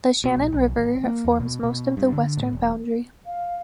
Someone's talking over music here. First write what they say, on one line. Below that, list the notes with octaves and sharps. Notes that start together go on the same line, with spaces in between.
The Shannon River forms most of the western boundary.
B2
A#1
B1
G#1
A#3
E2
B2
B2
G2
D3
A2
E1
F5